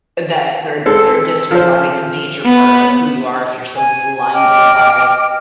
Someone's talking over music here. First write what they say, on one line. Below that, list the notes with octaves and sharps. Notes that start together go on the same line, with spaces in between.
that they're they're disregarding a major part of who you are if you're so blinded by
G#3 C4 A4
F3 C5
B3
G#5
D#5 G5 D6 F6